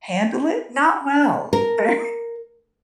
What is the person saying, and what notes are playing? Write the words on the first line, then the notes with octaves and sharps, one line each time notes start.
handle it? Not well, very,
A#4